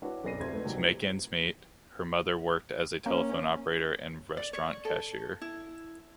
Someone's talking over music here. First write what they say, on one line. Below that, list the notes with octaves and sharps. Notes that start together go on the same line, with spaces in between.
To make ends meet, her mother worked as a telephone operator and restaurant cashier.
D4 E4 F#4 B4 C#5
F#1 B1 D5 A#6 C7 D#7
F1 D2 E5 C6 G#6
A3 B3 D#4
B1 C3 D#3 F#3
E3 B3 G4
A#3 C#4
D5
C#5
A4
E4